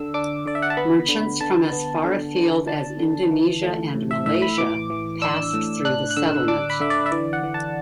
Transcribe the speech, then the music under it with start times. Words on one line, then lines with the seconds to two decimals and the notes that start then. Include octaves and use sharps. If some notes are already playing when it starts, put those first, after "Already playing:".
Merchants from as far afield as Indonesia and Malaysia passed through the settlement.
Already playing: D3 D4 E6
0.14 D4 D6
0.46 D3 D5
0.55 E5
0.62 F#5
0.70 A5
0.77 B3 B5
1.09 D3
1.41 D3 A5
1.72 B3
2.04 D3
2.36 D3
2.67 D4 A5
2.99 D3
3.31 E3
3.62 A3
3.95 A2
4.11 E5
4.26 A2 E5
4.42 B5
4.58 E3 D6
4.90 E3
5.22 D4 E6
5.53 A2
5.85 D4 F#6
6.11 F#6
6.17 D3 E6
6.48 D4 D6
6.70 B5
6.80 D3 E5
6.90 D5
7.06 E5
7.12 E3 D5
7.33 F#5
7.43 E3
7.54 A5